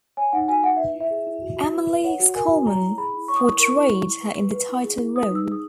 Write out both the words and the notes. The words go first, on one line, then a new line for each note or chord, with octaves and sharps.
Emily Schulman portrayed her in the title role.
C#5 G#5
D#4 F#5
F#4 G#5
D#4 F#5
B4 E5
E4
E5
G#4
E4
F#4
F#4
B4
B4
C#5 F#5
F#4
A#4 G#5
F#4
C#5 A#5
E4
G#4 B5
E4
C#5 C#6
D#6
E4 C#6
A#4 C#6
E4
E4
E4
B4
B4
B4
E4
G#4
E4
B4 D#6
D#4 E6
G#4
D#6